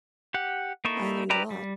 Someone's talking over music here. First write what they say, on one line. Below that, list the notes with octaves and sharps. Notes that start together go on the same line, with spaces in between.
I learned a lot.
G4 F#5
A#3 D#4 E4 A4 C#6
E4 G4 B4 D5 A#5
G3